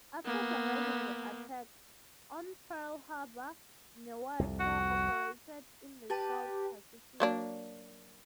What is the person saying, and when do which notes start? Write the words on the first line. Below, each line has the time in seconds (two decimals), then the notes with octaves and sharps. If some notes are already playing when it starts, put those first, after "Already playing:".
After surviving the Attack on Pearl Harbor, "Neosho" operated in the South Pacific.
0.25 A#3 B3
4.39 C2 F2
4.60 F#4
6.10 G4 B4 A5
7.20 F#3 A#3 D4